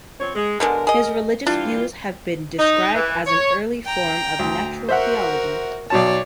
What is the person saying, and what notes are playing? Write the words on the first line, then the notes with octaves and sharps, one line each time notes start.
His religious views have been described as an early form of natural theology.
F3 C4 C#5
G#3
B2 D3 G#3 A#4
G#4 D#5
E3 G3 D4 F4
D#4
E3
C#5
G5 A#5
D2
F#4 A#4 C5 E5 F#5
B1 B2 C#5 D5 A5